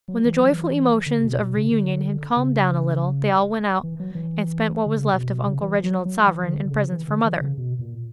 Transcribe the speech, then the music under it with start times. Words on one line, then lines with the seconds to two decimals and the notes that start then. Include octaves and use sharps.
When the joyful emotions of reunion had calmed down a little, they all went out and spent what was left of Uncle Reginald's sovereign in presents for mother.
0.08 F#3
0.25 E3
0.39 F#3
0.52 E3
1.06 D3
1.18 C#3
1.23 B2
1.40 B2
1.55 C#3
1.72 D3
2.37 C#3
3.83 E3
4.00 F#3
4.15 E3
4.86 D3
4.97 C#3
5.13 B2
5.29 B2
5.46 C#3
5.61 E3
5.84 F#3
6.05 F#3
6.27 E3
6.43 E3
6.48 D3
6.66 D3
6.70 C#3
6.92 E3
7.08 D3
7.25 E3
7.40 C#3
7.57 B2
7.79 A#2